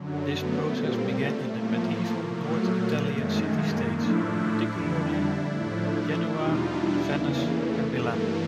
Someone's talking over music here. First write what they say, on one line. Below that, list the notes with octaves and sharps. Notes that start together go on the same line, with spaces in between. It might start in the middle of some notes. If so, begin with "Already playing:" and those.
This process began in the medieval North Italian city-states, particularly Genoa, Venice, and Milan.
Already playing: F#2 D3 F#3
A3 B3
A#2 G3 A#3 C4
A3
A2 F3 A3 A#3
A#2 F#3 A3
F#2 D#3 G#3 A3
A#3
A2 F3 A3 D4 E4
F2 D3 G3
A2 F3 A3
E2 B2 G3 D#4 F4
D4 E4
E2 C#3 E3 A#3
A3
G2 E3 A3 A#3